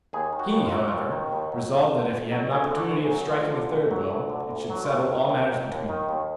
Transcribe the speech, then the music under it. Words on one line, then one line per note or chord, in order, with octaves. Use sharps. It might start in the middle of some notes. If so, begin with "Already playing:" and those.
He, however, resolved that if he had an opportunity of striking a third blow, it should settle all matters between them.
D#2 G#4
D#3
F#4
D#2
F4
F#3
F4
D#2 F#4
D#3
D#2
F#3
D2
D3
D2
F#3
D2 G#4
D3
F#4
D2
G#4
F#3
D2 F4
D3
D2
F#3
D2
D3
D2
F#3
F4
D#2 F#4
D#3
D#2
F#3
D#2
D#3
D#2